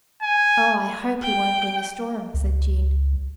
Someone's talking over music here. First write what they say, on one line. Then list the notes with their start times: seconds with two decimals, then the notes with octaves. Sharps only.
"Oh, I hope he won't bring a storm," said Jean.
0.23 G#5
1.22 G5
2.34 C#2